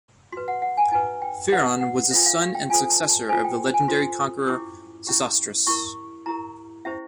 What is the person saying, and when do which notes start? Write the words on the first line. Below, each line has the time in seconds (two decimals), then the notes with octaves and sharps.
Pheron was the son and successor of the legendary conqueror Sesostris.
0.32 F#4 C6
0.37 B4
0.48 F#5
0.62 F#5
0.77 G#5
0.92 D#4 F#4 B4 G#5
1.22 G5
1.52 D#4 F#4 B4 F#5
1.81 F#5
2.11 D4 F4 A4 C5 E5
2.26 F5
2.41 F5
2.55 G5
2.70 D4 F4 A4 C5 G#5
2.90 A5
3.10 A5
3.29 F4 A4 C5 G#5
3.45 G5
3.74 G#5
3.88 F4 A4 C5 C6
4.47 C#4 E4 G4 D6
5.07 C#4 E4 G4
5.67 E4 G4 A#4 C#6
6.26 E4 G4 A#4 A#5
6.85 C#4 E4 G4 C5 E5